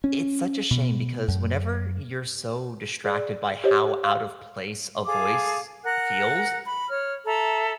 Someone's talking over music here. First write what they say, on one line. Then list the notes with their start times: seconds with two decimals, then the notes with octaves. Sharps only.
it's such a shame because whenever you're so distracted by how out of place a voice feels,
0.04 C#4
0.71 B2
1.28 F#2
3.04 G#4 D5 F#6
3.64 G4 C5 C#5 D#5
4.03 F5
5.06 G#4 A4 F5 D6
5.84 A#4 F#5 F#6
6.65 B5
6.89 C#5 F6
7.27 A4 E5 A#5